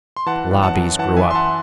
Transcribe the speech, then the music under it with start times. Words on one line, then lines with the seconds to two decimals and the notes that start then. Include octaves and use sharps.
Lobbies grew up.
0.17 C6
0.26 E3 F#5 A5
0.51 F#2
0.63 F#5 A5
0.75 F#2
0.99 E3 F#5 A5
1.17 E5 G#5
1.23 E3
1.31 C6
1.35 F#5 A5